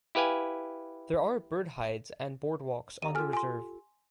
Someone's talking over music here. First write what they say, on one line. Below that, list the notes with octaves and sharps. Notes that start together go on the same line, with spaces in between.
There are bird hides and boardwalks on the reserve.
E4 G4 B4 F5 G#5
D#2 A#5 D#7
F4 G4 A4 G#5 F6
G#5 C6